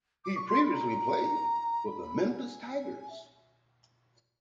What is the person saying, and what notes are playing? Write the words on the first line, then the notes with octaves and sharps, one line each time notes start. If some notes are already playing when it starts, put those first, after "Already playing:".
He previously played for the Memphis Tigers.
D6
C#6
C6
B5
A#5
B5
B5
G#5
E5